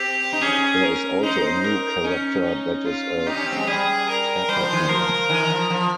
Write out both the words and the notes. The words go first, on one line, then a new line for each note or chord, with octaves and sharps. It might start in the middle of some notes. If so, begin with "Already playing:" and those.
There is also a new character that is a caterpillar.
Already playing: C4 G4
D#4
C#4 G#4
A#4
D#4 C5
A#4
C#4 D#4
D#4
F4
D#4 G4
C#4
C4
A#3
G#3
G3 G#4
A#4
G3 C5
F3
D#3
F3 A#4
D#3
F3
F3